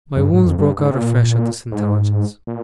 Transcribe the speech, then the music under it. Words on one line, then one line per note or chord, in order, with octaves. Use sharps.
My wounds broke out afresh at this intelligence.
F2
G2
G#2
F2
G2
G#2
C3
A#2
G#2
A#2